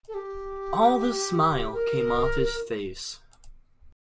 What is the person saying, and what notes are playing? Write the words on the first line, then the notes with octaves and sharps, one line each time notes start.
All the smile came off his face.
A4
G4
A#4